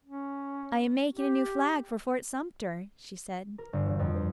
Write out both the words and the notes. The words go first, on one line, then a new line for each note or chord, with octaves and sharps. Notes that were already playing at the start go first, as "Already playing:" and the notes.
"I am making a new flag for Fort Sumter," she said.
C#4
G4
A#4
G1
E1
F2
C5